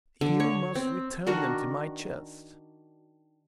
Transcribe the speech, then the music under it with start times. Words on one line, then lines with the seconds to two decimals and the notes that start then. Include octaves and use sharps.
"You must return them to my chest."
0.21 D3
0.40 C#5
0.75 C4
1.27 D#3 D4 F#4 A#4